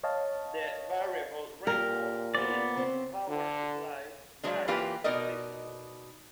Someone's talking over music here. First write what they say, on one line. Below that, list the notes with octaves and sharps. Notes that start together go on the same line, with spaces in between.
The variable rainfall means the power supply varies seasonally.
C#5 D#5 F5 A5
A#2 G4 A#4
B3 C5 D5
C#3 C4
D3
F#3 G#3 D4
E3 A#3 F4 G4 B4
B2 D#4 A#4 D5 D#5